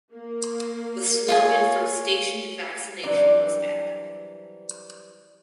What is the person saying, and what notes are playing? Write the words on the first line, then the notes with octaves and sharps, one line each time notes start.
The slogan "from station to vaccination" was added.
A#3
F4 C#5 G#5
E3 F#3 G3 C4 D4 D5